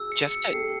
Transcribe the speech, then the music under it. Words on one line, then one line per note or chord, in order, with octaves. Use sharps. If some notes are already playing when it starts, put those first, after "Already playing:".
just to
Already playing: F#4 G#4 E6
C#7
C#7
G4 A4 C7